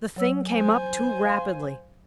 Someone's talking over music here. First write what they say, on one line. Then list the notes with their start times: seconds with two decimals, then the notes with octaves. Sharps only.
The thing came up too rapidly.
0.16 F#3 C#5 E6
0.49 C5 G#5
1.25 F5 C6